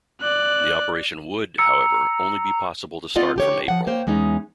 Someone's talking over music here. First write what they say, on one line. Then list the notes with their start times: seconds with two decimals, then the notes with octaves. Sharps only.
The operation would, however, only be possible to start from April.
0.21 D5 F#6
1.58 A#5 E6 C#7
3.16 C4 D#4 F4 D5 D#5 F#5
3.36 D3 G4 C#5
3.68 F3 F#5
3.87 A#3 C5 C#5 G5
4.07 E2 G#3 C#4 D#4